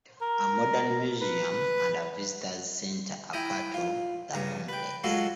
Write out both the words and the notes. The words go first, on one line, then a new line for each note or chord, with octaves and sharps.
A modern museum and a visitors center are part of the complex.
A#4
B4
E4 G5 G#5 A#5 D#6
F4
G2 C#3 A#5
B4 G5
F#3 G#3 F4 F#4 A4